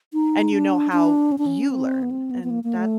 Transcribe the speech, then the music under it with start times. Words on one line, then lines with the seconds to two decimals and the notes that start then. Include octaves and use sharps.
and you know how you learn, and that
0.13 D#4
0.52 D4
0.92 D4
1.32 C#4
1.38 D4
1.46 C#4
1.71 C4
2.02 B3
2.11 C4
2.31 B3
2.44 B3
2.50 A#3
2.64 A#3
2.77 A3